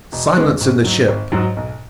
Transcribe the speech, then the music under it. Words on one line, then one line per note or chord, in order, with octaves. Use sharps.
"Silence in the ship!"
E1
E2 C#3 G#3 B3
G#1
G#2 F#3
G#1
G#2 F#3
B1